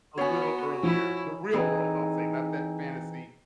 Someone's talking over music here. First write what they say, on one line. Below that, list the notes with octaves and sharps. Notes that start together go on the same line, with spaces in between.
a little earlier. The real world, I'll say, not that fantasy
B3 F#4 C#5 G#5
F3 E4
E3 C4 D#4 G#4 A4